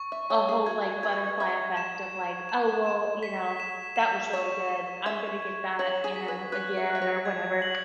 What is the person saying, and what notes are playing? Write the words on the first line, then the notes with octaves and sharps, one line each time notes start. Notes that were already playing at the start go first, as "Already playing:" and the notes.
a whole, like, butterfly effect of, like, "Oh well, you know, that was really good. I'm gonna get that, you know, again, or whatever,"
Already playing: C#6
E5
C#5 C#6
G#4
F#4 G#6
B4 G#6
E5 G#6
E7
E7
E7
E7
B6
E7
E7
C#5 C#6
E7
E5 G#6
G#6
C#5 F#7
G#4
B6
B4
B4 F#6
E5
F#6
E5
C#5
G#6
F#7